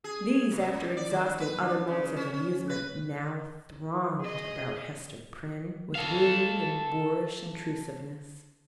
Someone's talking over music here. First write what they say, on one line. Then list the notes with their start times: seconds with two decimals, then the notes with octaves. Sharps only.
These, after exhausting other modes of amusement, now thronged about Hester Prynne with rude and boorish intrusiveness.
0.04 G#4
0.52 C3
0.67 A#2
0.97 D5
1.11 D#3
1.40 B4
1.61 D4
1.87 C#3
2.17 C#4
2.34 C#4
2.69 B4
4.20 G#4 D#5
5.95 A4 F5